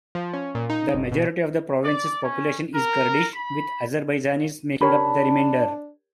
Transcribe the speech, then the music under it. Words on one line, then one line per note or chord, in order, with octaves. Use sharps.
The majority of the province's population is Kurdish, with Azerbaijanis making up the remainder.
F3
C#4
A#2
D#4
G1
B2
D5
C#4
A#4
B5
D4 G4 A#4 C#5 A5 B5